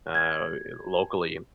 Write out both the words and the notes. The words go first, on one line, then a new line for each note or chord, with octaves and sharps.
uh, eh, locally.
G#6